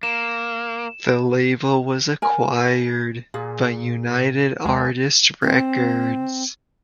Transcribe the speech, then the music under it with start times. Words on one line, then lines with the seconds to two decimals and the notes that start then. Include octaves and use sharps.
The label was acquired by United Artists Records.
0.03 A#3 E7
2.22 A#4 G#5
3.34 A#2 G#4
4.65 D#2 G#3 G#5
5.43 C4